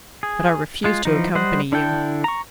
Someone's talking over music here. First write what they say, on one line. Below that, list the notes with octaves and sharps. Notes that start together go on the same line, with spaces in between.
But I refuse to accompany you.
G#4
G#3 F4
E3 F3 D#4
G3 C5 D#5 F#5
D3 D4 E4 A4 G5
A#5 C#6